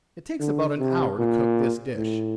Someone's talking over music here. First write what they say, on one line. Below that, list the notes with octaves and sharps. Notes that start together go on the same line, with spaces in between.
It takes about an hour to cook this dish.
D3
C3
A#2
A2